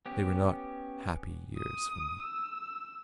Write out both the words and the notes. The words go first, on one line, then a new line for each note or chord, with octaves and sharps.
They were not happy years for me.
B3 C#4 G4
D#6
E6